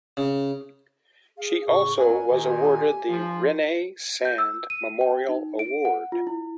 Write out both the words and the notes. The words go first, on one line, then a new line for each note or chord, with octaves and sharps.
She also was awarded the "Rene Sand Memorial Award".
C#3
G#4 F5
A2 C#3 C#6
F#2 F#3 B3 A#4 G#5
A#2 D#3 G4
F3
G6
E6
D#7
G5
D#4
D7
F#5
F4
E4